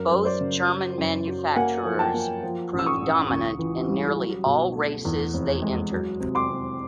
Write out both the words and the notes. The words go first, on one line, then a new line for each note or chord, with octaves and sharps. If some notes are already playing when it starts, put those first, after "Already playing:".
Both German manufacturers proved dominant in nearly all races they entered.
Already playing: F#2 A#4
F#2
C5 D5
C#3
F#3
F#2
F#3
A#3 F#5 G#5
F3
G5 A5
A#3
F3
A1
E6
C#6 D#6
A1
C#2
E3
G3
F#3
B2
A3
E2
F1
G#3
F#3
C3
C6 D6
C3